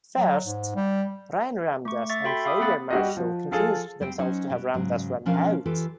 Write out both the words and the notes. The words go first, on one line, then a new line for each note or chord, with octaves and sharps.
First, Ryan Ramdass and Xavier Marshall confused themselves to have Ramdass run out.
F#3
G#2
G3
A3 C#6
E5 C#6 A6
F#4 A4 G5 B5 C6
E5 F5 B5 D6 D#6
A#3 C4 E5 F#5 B5 A6
G3 F#4 D#5
F3
F3 F4 G#4 A4
G3 C4 G5
F#3 C#4 D#4 C5 C#5
B2 G3
G#2 C#3 F#3
B2 F3 C#4 D4 A#4 F5
E3 F4 G4 A4